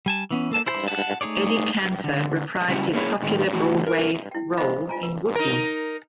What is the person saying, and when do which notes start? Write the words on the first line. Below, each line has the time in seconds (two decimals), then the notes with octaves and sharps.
Eddie Cantor reprised his popular Broadway role in Whoopee!
0.06 G3 G#5 A5
0.31 E3 B3 C#4
0.51 A#3 A4 A5
0.66 E4 C5
0.88 F#5 A5
1.21 A3 D#4 G#4 C#5 D5
2.04 D3
2.68 C#3 G3 C#4 E4 F#4
2.93 A3 A#3 C#4 E4 G#4 C#5
3.22 A2 D#3 G#3
3.53 E3 A3 E4 F#4
3.87 A#4
4.31 E4 G5
4.57 C5 D#5 F5 B5
4.89 F4 G#5 A#5
5.03 B4
5.35 D#4 A#4